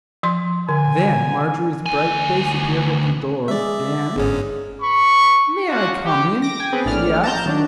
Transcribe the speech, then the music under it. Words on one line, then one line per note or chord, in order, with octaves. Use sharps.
Then Marjorie's bright face appeared at the door, and, "May I come in?" she asked.
F3 C6
D3 G#5
D2 G#5
G#3 D5 E5
G1 G#2 C#4 G#4
B4 B5 C#6
C#4 D4 F4 F#4 F#5
G4
D6 A#6
G5 G#5
B3 C4 G#4 B4
A#1 A2 D5 F6
A5 A#5 G6
D#3 F#3 D4